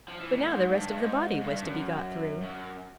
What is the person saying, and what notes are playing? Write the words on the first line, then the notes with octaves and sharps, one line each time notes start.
But now the rest of the body was to be got through!
F3
E3
A#2
G#2
G2
G2
G#2
G2
G2
F#2
F#2